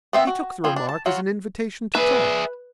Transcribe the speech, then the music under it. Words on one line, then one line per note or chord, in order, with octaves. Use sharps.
He took the remark as an invitation to talk.
B3 C4 E5
F#4
F3 C4 G#4
D4
A5
F#3 F4 F#4
G#4 B4 E5